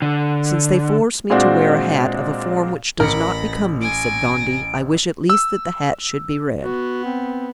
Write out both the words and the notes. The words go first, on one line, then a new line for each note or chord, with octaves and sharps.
"Since they force me to wear a hat of a form which does not become me," said Gondy, "I wish at least that the hat should be red."
D3
A#2 G#3 C4 D4 F#4
A1 A#4 B5 A#6 C#7
G#5 A#6 D7
E6
B3 F#4
C4